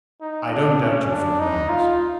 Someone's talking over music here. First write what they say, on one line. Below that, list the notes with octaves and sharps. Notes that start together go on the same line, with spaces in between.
"I don't doubt you for a moment, sir!"
D#4
D4
C#4
D4
D#4
F4